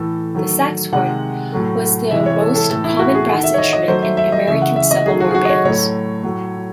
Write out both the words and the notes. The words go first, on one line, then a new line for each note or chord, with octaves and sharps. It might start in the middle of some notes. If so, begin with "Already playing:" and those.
The saxhorn was the most common brass instrument in American Civil War bands.
Already playing: A2 E3 A3 A4
D#3 F#3 A3
C3 D#3 G#3 F#5
A2 F#3 A3
C3 E3 G#3 E5
C#5
A4
A4
A2 E3 A3 A4
E4
F#4
G#4
D#3 A3 F#5
E5
C#5
D#5
D#5
D#3 F#3 A3 C5
E5
E5
D#5
C#3 E3 G#3 E5
F#5
E5
D#5
D#3 F#3 A3 G#4
F#4
G#4
F#4
D#5
C#5
A2 F#3 A3 C#5
A2 F#3 A3